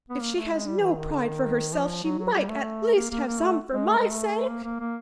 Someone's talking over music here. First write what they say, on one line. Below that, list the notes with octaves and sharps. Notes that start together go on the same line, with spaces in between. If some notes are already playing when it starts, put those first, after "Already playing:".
If she has no pride for herself she might at least have some for my sake!
B3
A#3
A3
G#3
G3
E3
D#3
D3
D#3
F3
F#3
F#3
G3
A3
A#3
A#3
A#3
A3
G#3
A3
G#3
A3
A#3
A#3
A#3